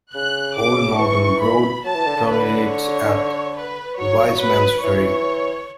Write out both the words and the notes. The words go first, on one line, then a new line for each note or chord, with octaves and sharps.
Old Northern Road terminates at Wiseman's Ferry.
C#3 F#6
D6
D3
E3 C#6
B5
F#3 A5
E3
D3
D3
D3 B4
C#5
B4
F#3 C#5
B4
E3 C#5